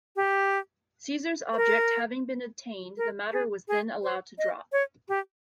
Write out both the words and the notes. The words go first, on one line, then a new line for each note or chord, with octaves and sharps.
Caesar's object having been attained, the matter was then allowed to drop.
G4
C5
A#4
A#4
G#4
G#4
C5
D#5
C#5
G4